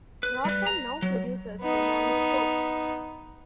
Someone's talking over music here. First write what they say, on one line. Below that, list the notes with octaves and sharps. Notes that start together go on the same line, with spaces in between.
Roten now produces the morning show.
B4
G3 B4
A#5
F#3
B3 D#4